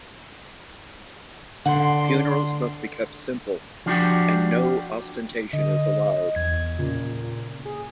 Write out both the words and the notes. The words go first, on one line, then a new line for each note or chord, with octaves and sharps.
Funerals must be kept simple, and no ostentation is allowed.
D3 D5 F#5 C6
F3 D4 F#4 G4
D3 D#5
E2 G#6
A#2 C#3
G#4